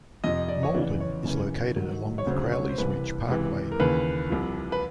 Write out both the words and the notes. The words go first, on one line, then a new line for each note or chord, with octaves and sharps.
Malden is located along the Crowley's Ridge Parkway.
F2 C3 F3 D#5
D5
C#5
E2 C#3 E3 D5
C#5
F#2 C#3 E3
G#2 D#3 F#3
C#5
D2 C#3 F#3 C5
C#5
C5
C2 C3 E3 B4
C#2 C3 E3
A#4
D#2 C#3 E3 B4
C2 C3 F3
B4